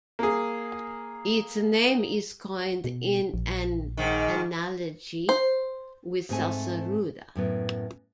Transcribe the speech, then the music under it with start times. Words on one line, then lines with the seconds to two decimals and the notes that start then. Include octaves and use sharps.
Its name is coined in an analogy with Salsa Rueda.
0.19 A#3 G#4
2.84 B2
3.34 A#1
3.97 G#2 D#3
5.29 C5
6.29 G#2 A3 C4 B4 G#5
7.35 F#2 A2 B3